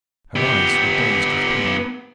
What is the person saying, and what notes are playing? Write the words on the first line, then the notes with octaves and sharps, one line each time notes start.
Her eyes were dazed with pain.
B3 G4